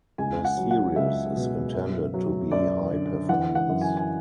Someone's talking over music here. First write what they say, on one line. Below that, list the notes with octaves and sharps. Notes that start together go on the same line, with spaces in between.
The series is intended to be high performance.
C#2 G#5
F#5
F#3
F#5
C#2 E5
B2
F#2
F#3
F#2 D5
D3
E3 F#5
F#5
F#2
G#5
G#5